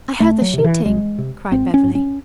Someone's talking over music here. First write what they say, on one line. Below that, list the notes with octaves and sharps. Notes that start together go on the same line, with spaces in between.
"I heard the shooting," cried Beverly.
C2 A3
F#3
C3 D#3
E3
C2 G#3
C3
G#1 C4
C#4
G#2
C#4